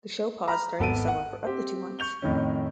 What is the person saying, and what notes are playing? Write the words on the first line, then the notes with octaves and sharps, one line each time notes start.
The show paused during the summer for up to two months.
A#5 B5 F6
G#1 B3 A4 D7 D#7
F#5
C4 G4 C5
C#6 G6 F7 G7
F2 A2 D#3 C#4